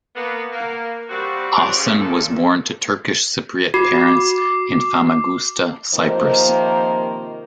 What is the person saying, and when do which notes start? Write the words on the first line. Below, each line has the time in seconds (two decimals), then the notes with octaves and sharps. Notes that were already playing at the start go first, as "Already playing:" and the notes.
Ozsan was born to Turkish Cypriot parents in Famagusta, Cyprus.
0.16 A#3 B3
0.52 A#3
1.10 G3 C4 F#4
1.56 C4 F4 G4 A#4 C#5 D5
1.77 C#3
1.99 A#2 A4
3.74 F#4 D6 C7
5.93 C3 D#3 F3 A#3 C5 D#5